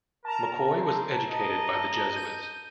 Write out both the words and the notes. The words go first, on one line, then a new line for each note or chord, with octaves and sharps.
McCoy was educated by the Jesuits.
A#4 A5 A#5
C5
D#5
G6 D#7